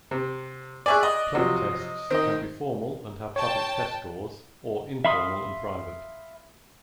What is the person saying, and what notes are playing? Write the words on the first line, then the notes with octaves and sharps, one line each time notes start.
Plugtests can be formal and have public test scores or informal and private.
C3
G#4 D5 E5 G#5 C#6 F#6
D#5
C3 F3 F#3
D#3 C4 D#5
C#5 G5 A5
E5 F5 B5 C6 D#6